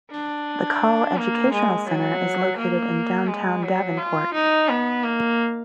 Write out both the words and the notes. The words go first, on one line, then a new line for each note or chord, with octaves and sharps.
The Kahl Educational Center is located in downtown Davenport.
D4
A#3
G#3
F#3
A#3
G#3
F#3
F4
D#4
B3
A#3